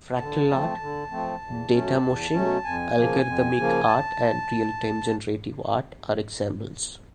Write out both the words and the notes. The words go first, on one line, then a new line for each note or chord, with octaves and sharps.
Fractal art, Datamoshing, algorithmic art and real-time generative art are examples.
D3 A5
F3 A3 C4
D3
F3 A3 C4
E2
B2 F#3 A3 C#4
E2
B2 F#3 A3 C#4
F2 G#5
C#3 F3 A#3
F2
C#3 F3 A#3
A5